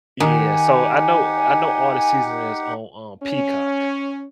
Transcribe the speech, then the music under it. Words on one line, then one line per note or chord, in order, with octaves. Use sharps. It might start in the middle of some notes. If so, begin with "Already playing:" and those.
Yeah, so I know I know all the season is on on Peacock.
D#3 D#4 G4 F#5 G#5
C#4